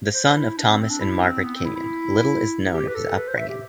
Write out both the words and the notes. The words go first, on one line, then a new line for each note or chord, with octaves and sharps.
The son of Thomas and Margaret Kenyon, little is known of his upbringing.
C5
E4
D4
C4
C4
D4
E4
C4
B3
C4
E4
E4
G4
B4
A4
B4
C5
E5
G4